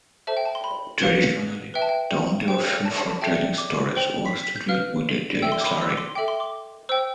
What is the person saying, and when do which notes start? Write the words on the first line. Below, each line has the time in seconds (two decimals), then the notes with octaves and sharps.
Traditionally, the only option for tailings storage was to deal with a tailings slurry.
0.27 A4 C5 E5 A5
0.37 G5
0.45 A5
0.55 C6
0.64 B5
1.01 G4 B4 F5
1.74 B4 E5 G5
1.82 A5
1.89 G5
2.48 G4 C5 G5
2.85 A5
2.97 A5
3.10 A5
3.21 A4 E5 G5 A5
3.58 D6
3.96 C5 G5
4.26 B6
4.32 C7
4.44 B6
4.56 G6
4.68 B4 F5 F6
5.42 A4 E5 G5 E6
5.52 C6
5.61 D6
5.66 B5
5.70 C6
5.82 E6
5.90 D6
5.97 C6
6.15 A4 E5 G5 D6
6.28 C6
6.40 D6
6.89 C5 G5 E6